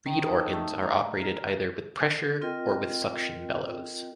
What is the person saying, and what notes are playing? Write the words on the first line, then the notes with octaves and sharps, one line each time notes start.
Reed organs are operated either with pressure or with suction bellows.
D#3
D#5
A4
A3
A#5
A#4
C4 F4 A#4 D#5 G5